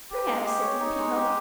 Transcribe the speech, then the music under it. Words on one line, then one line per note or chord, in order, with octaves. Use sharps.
"Perhaps," said the Peacock.
G4
G#3
G4
C#5
D#4
G#3
G4